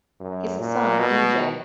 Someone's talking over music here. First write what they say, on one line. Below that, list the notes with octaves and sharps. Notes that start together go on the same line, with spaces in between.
His son E. J.
F#2
A#2
B2